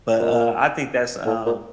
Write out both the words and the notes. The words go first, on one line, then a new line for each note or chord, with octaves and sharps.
But, uh, I think that's, um,
A#2
A2
A#2